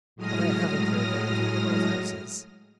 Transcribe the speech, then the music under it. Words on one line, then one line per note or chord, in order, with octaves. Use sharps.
But I haven't heard anything about her since.
A2 F#3 G#3 D#6 F6 A#6